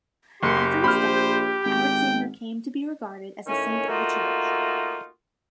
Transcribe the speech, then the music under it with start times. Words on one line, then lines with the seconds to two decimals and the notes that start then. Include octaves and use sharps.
After his death, Alexander came to be regarded as a saint of the Church.
0.43 F#1 G4 C6 C#7
0.84 A#1 C5 B5 F6
1.65 G#1 G5
3.47 A2 D#3 C#4
3.87 A3 A#3 D#4 F4 F#4